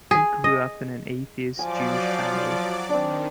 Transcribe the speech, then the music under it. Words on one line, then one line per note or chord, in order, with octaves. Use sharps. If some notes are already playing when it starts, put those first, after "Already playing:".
He grew up in an atheist Jewish family.
G#4
D#5
F3 F#3 D5 G#5 D6
D#3 C4 D4